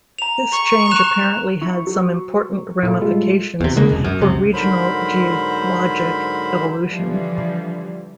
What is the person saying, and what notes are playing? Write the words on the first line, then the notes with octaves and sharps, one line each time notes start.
This change apparently had some important ramifications for regional geologic evolution.
A#5 F7
C#6
F#6 E7 F7
E4 C#6
F#3
A#2 E4 A4 F5
G3 G#3 F4
E2 C3
C#2 C#3 G#3 A#3
E1 C2
F#2
C#2 C3
G#2 D3 F#3 A#4 C5 B5
D3 E3 F3 G3